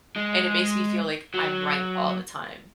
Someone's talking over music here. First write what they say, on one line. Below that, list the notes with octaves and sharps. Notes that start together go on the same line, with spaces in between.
and it makes me feel like I'm right all the time,
G#3
F#3